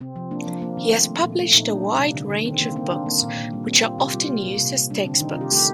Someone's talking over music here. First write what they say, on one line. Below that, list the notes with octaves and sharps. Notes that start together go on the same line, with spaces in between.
He has published a wide range of books, which are often used as textbooks.
C3 C4
F3
A#3 D4
F3
A#3
D#3 C4
A3
A3
A#2
A3
A#2 D#4
A#3 D4
G3
C3
D3
D3
D#3 C4
D#3 A#3
A#3 C4
D#3 D4
A#3
A#2
A#2
G3
A#3 C4
A#3 F4
C3 G4
G3 F4
A#3
A#2
C3
C3
G3 D4
D3 C4
D#3 D#4
F4
C3 G4
A3 G4